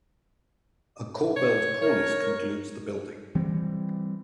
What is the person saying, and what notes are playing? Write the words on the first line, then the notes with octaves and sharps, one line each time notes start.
A corbelled cornice concludes the building.
C#5
A#4 C#5
E3 G3 C4